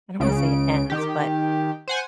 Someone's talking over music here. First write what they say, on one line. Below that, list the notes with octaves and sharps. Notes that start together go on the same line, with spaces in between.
I don't wanna say it ends, but,
C#2 C#3 D7
D#3 G4
C5 F#5 G#5